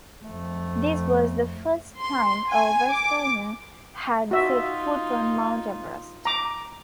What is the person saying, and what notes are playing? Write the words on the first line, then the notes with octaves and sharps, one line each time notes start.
This was the first time a Westerner had set foot on Mount Everest.
F2 A3
C6
G#5
D6
D#4 F4 F#4 E5
A#5 D6